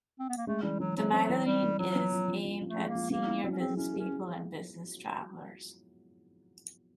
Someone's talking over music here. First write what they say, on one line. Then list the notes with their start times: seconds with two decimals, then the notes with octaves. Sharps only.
The magazine is aimed at senior businesspeople and business travellers.
0.19 C4
0.29 B3
0.37 A#3
0.47 G#3 A3
0.63 E3 G3
0.79 E3 F#3
0.97 F#3 C4
1.13 F#3 C4
1.29 E3
1.45 G3 C4
1.62 E3
1.79 F3 F#3
1.95 B3
2.12 F3
2.28 F3
2.45 F3
2.61 F3 A3
2.78 G#3
2.89 A#3
2.95 F3
3.10 A#3 B3
3.27 E4
3.43 F#3 C4
3.52 C#4
3.58 C4 G#4
3.77 C#4 E4
3.93 G#4
3.99 C#4